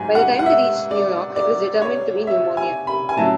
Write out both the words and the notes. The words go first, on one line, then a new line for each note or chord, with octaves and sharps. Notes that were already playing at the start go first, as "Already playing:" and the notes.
By the time they reached New York, it was determined to be pneumonia.
Already playing: G#2 F#3 G#5
F#5
F#5
E5
D5
D5
C#5
E5
G#5
B5
G#5
A2 F#3 C#4 E4 A5